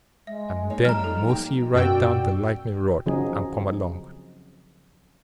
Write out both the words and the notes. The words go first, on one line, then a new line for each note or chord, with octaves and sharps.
And then mosey right down the lightning-rod and come along.
G#3 E5
A#3 D#4 C#5
F3 G3 A#5 F6
D#4 A4
A#3 G5
F#2 B2 F#4 D5 G5 E6
C#3 F3 F#3 C4 D#4 G#4